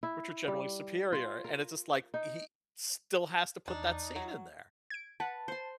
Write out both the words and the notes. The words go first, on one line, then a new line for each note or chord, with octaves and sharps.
Which are generally superior, and it's just like he still has to put that scene in there.
E4
G3
F4
A#4
D#4
E2 D4 D#4
F#3
G#6 D7
B4 F#5 A5
C5 C6